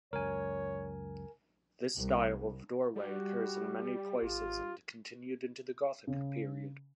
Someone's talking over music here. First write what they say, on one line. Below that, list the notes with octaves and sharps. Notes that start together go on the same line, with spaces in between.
This style of doorway occurs in many places and continued into the Gothic period.
C#2 F#2 A#4 C#5 G#5
C2
G3 F#4 G4
G#1 F4
C#3